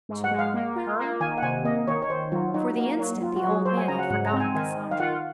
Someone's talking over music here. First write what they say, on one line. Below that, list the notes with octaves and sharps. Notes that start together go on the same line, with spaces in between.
"To--her?" For the instant the old man had forgotten Cassandra.
G#2
F#5
G#3
F5
A#3
F4
A#3
D#3 G#5
F#5
C3 G#5
A#3 D#5
D#3 C#5
C#5
D#3 C5
F#3 F4
F#3 D#4
A#3
F#3
F#3 F4
F#4
F#3
G#4
F#3 C5
G#5
C#3 A#5
F#5
G#2 F#5
A#5
C4
G#5
D#3 G#5
D#3
F5
F4 F#5